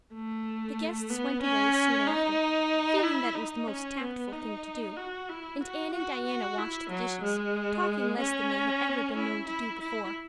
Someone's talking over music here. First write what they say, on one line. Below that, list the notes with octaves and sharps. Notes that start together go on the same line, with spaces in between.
The guests went away soon after, feeling that it was the most tactful thing to do, and Anne and Diana washed the dishes, talking less than they had ever been known to do before.
A3
B3
C#4
D#4
E4
D#4
C#4
B3
D#4
F#4
E4
F#4
F#4
F#4
E4
F#3
G#3
C#4
E4
E4
E4